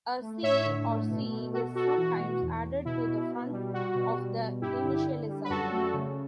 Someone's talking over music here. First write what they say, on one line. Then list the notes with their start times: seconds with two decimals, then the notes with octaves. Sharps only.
A "c" or "C" is sometimes added to the front of the initialism.
0.21 A3
0.43 A2 C#5 E5
0.65 D3
0.88 A3
1.10 B2
1.32 B2
1.53 B2 F#4 A4
1.75 B2 F#4 A4
1.98 E3 F#4
2.19 A3
2.42 E2
2.64 E2
2.85 B2 E4
3.08 B2
3.29 B2
3.52 G3
3.74 G3 F#4
3.95 B2
4.18 G3
4.40 G3
4.61 G2 E4 G4
4.84 D3
5.06 D3
5.28 G3
5.44 B4
5.50 F#2 F#4 A4
5.72 A3
5.94 C#3